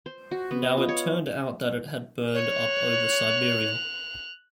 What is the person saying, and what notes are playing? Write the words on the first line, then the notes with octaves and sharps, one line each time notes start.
Now it turned out that it had burned up over Siberia.
C5
F#4
B3
D#5
F4
C#5
C#5 F#6 F7